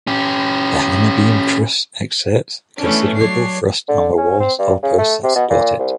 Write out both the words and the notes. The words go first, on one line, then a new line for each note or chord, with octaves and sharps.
The hammerbeam truss exerts considerable thrust on the walls or posts that support it.
C#4 G4
E3 A3 B3 C#4 D4
F#3 D4 C#5 C7
D3
C#4
C4
G2
C#3
A3
C3
B2
A#2
C2